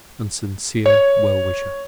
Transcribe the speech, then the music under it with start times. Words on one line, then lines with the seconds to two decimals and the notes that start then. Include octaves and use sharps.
And sincere well-wisher.
0.86 C#5